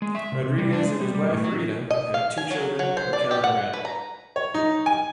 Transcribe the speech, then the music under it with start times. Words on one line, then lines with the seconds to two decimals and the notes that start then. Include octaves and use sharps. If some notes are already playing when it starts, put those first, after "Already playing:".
Rodriguez and his wife, Rita, have two children, Raquel and Rhett.
0.02 G#3
0.15 E5
0.32 C3
0.43 C3
0.58 G3
0.72 D4
0.85 G#3
1.01 G3
1.15 G3
1.31 A2
1.44 F#3
1.91 D#5
2.14 F5
2.38 G#5
2.51 F#3
2.79 F#3
2.97 C5
3.13 D5
3.31 G4
3.44 F#5
3.73 B4
3.85 A#5
4.36 C#5
4.54 D#4
4.86 G#5